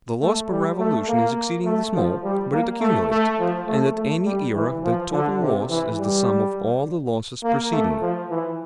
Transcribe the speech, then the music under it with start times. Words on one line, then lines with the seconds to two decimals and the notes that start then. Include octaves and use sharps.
The loss per revolution is exceedingly small, but it accumulates, and at any era the total loss is the sum of all the losses preceding it.
0.22 A3
0.51 G3
0.80 A3
1.08 A#3
1.65 A3
1.95 F3
2.24 G3
2.53 A#3
2.81 A3
3.10 A3
3.40 F3
3.68 A3
3.96 A3
4.26 G3
4.55 E3
4.84 F3
5.12 D3
5.41 C3
5.70 E3
6.00 G3
7.44 A#3
7.73 A3
8.02 F3
8.31 E3